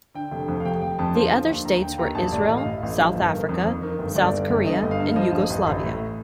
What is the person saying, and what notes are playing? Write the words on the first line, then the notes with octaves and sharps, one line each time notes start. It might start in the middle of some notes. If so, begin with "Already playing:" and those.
The other states were Israel, South Africa, South Korea, and Yugoslavia.
D3 G5
F1
F2
F5
F1 G5
F1 G5
F2 A5
F3 C6
D3
D#2
D#2 A#5
D3 G5
D#2 A#5
A1 A5
A2 D5
D#5
A1
F5
A2 D#5
A1
F3
G1
D#3
F2
F2
D#3
G1
G1 D5
G1
G1
G2 D#5
G1
F5
G2
F3 D#5
A1
A1
A1
A2